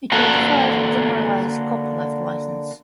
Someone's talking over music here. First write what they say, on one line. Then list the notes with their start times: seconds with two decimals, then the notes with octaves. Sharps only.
It was the first "generalized copyleft" license.
0.12 D3 A#3 F#4 A4